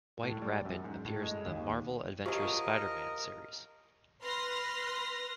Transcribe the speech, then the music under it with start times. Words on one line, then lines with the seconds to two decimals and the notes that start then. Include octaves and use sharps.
White Rabbit appears in the "Marvel Adventures Spider-Man" series.
0.23 A2
0.42 G3
0.65 F#2
0.84 G#2
1.05 A2
1.23 G#3
1.46 D#2
2.26 F3 F#3 G4 A#4 D#5
4.23 B4 C6 F6 A#6